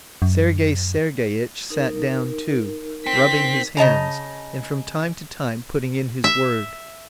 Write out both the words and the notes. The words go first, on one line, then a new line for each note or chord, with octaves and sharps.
Sergey Sergeyitch sat down too, rubbing his hands, and from time to time putting in his word.
F#2
D#4 A#4
C4 B6
C#3 D#5 A5 A#5
E5